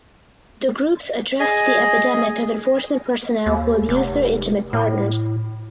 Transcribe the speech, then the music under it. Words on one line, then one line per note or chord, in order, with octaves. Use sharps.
The groups addressed the epidemic of enforcement personnel who abuse their intimate partners.
G#4 D#5 G#5
D#2
F1
A2